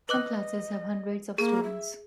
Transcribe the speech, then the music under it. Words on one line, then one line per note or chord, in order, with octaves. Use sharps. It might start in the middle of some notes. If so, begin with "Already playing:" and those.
Some classes have hundreds of students.
B4 D#5 D6 F#6
A#3 G#4 D#7
E5